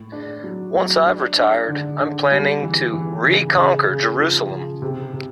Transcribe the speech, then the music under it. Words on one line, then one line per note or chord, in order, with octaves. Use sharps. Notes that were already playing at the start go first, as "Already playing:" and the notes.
Once I've retired, I'm planning to reconquer Jerusalem.
Already playing: A2
D4
F#3
F#3
D4
D4
D3
D3
G3
E3
E3
C#3
C#3
C#3
F3
C#3
C3
C3